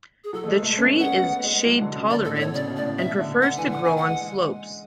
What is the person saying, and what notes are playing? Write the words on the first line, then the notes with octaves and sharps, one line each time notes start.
The tree is shade-tolerant and prefers to grow on slopes.
G#4
F#3 A4
A3
G#3
A3
C#4 B4
B3 F#5
B3
G#3
F#3
D3
C#3
D3 D5
A2 A4
B2
D5
C#5
C#3 D5
B2
A2 D5
B2 E5
D3
F#5
E3 G#5
D3
E3 F#5
E3 G#5
F#5
G#3